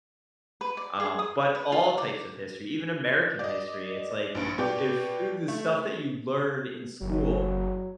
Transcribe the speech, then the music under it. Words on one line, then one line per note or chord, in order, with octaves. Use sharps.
um, but all types of history, even American history, it's like if, eh, the stuff that you learn in school
B4
D5
G#4
D#6
B4
F4
D5
D5 D#5
A#1 G2
B2 G4 D5
A3
F#1 F#3